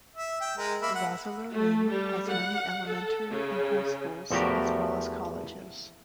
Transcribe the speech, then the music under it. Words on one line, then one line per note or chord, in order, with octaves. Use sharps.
Roseller Lim has many elementary and high schools, as well as colleges.
E5
G5
G#3 A#4
A#3 E5 B5
F#5
A3
G3
F#5
A4
C#3
E2 F3 A3 F#4 G4 A#4